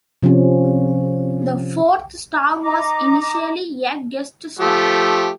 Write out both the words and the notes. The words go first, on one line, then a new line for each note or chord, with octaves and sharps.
The fourth star was initially a guest star.
C3 F3 C4 C#4
D#4 D#5 A#5 D6
F3 A3 G4